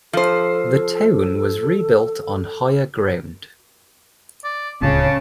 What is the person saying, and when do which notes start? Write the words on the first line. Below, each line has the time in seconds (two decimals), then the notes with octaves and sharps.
The town was rebuilt on higher ground.
0.13 F3 A4 C5
4.44 D5
4.82 D1 C#2 C#3 A5